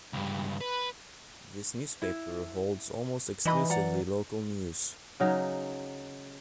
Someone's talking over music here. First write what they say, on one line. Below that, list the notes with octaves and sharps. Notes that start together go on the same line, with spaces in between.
This newspaper holds almost exclusively local news.
C#2 G2
B4
E4
E3 D#4 D#5 B5
D5 F#5 A#5
C#3 F#3 D#4